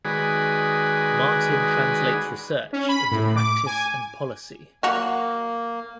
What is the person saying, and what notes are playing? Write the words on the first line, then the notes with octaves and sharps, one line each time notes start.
Martin translates research into practice and policy.
D#3 G#3 F#4 G#4 B4 D5
C#4
B5
A2
D6
G#5
F#3 A#3 F#4 A#5